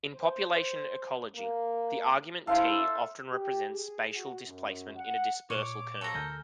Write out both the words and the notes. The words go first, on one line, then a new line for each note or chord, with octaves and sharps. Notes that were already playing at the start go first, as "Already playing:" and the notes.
In population ecology, the argument "t" often represents spatial displacement in a dispersal kernel.
C5
A#3
E4 A4 C5 E5 F5
G4
G#4
F#4
F#2
F#5
A#2 C#5 D6
A4 C#5 A#5
D2 A#4 G#5 G6